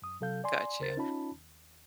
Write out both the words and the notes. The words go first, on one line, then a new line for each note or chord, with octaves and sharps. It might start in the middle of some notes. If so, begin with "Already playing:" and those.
Got you.
F#2 D#6
C3 F#3 A4 F5 G6
D5 G#5 C6
D2 C#3 A#4 C5 A6
C#4 D#4 F4 A5 B5
D#2